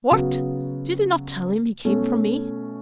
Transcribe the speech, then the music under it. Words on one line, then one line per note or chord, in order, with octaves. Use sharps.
"What! did he not tell him he came from me?"
C#3 F#3 B3
B2 A3 C#4